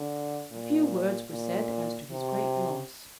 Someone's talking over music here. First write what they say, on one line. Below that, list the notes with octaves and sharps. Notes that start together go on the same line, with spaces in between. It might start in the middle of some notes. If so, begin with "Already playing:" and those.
A few words were said as to his great loss.
Already playing: D3
A#2
A#2
C3